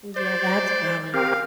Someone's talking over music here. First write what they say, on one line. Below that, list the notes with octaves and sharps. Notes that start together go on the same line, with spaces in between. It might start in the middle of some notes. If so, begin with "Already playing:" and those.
yeah, that's valid,
C5 D5
C4 G4 A#4 F5